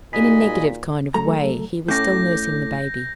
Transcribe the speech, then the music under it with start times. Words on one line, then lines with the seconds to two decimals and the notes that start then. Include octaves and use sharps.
In a negative kind of way he was still nursing the baby.
0.13 A#2 D#4 F#4 G#4 D#5 G#5 B5 B6
1.14 F#3 A3 A4 A#5
1.88 A2 C#4 A4 D6 G6 A#6